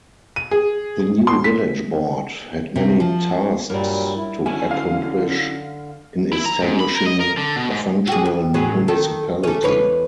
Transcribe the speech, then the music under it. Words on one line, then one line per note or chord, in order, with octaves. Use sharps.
The new village board had many tasks to accomplish in establishing a functional municipality.
D#7
G#4
C6
B6
C3
F3
G2 A#2 F#3 G3 A#4 D5
E4
D3 F#3 C#4 E4 E5 G#5
F5
E4
A#5
G#2
B5
A#4
D#5
A#4
D3
B2
G#2
F#4 G#4
F2
A2 F#3 G#4
D#3 A4
A3 C#4
E2 B4 C#5